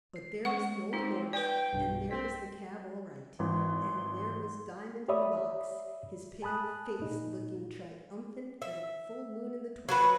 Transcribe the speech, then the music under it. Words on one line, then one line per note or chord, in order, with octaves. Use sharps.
But there was the old horse, and there was the cab all right, and there was Diamond in the box, his pale face looking triumphant as a full moon in the twilight.
C7
G#3 F#5 C#6
C4 D#4 F4
B4 D5 G5
B1 G2 B2
C4 B6
G#1 E3 C6
G4 C#5 D5 E5 B5 D#6
G#5 A5 B5 D#6 F#6
A#2 D#4
E5
F#3 F#4 B4